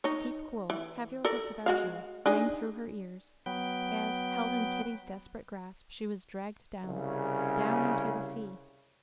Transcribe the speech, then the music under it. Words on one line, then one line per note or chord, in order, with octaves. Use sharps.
"Keep cool; have your wits about you," rang through her ears, as, held in Kitty's desperate grasp, she was dragged down, down into the sea.
D#4 C#5
E3
A4 A#4 D5
G#3 F#4 F5
D4 D#4 G#4
F#3 B3 G5
C2 C#3